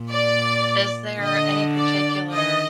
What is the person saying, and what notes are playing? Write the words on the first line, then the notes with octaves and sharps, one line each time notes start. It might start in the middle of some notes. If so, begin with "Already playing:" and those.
Is there any particular
Already playing: A#2
D5
D3 D#5
D5
D#3 D#5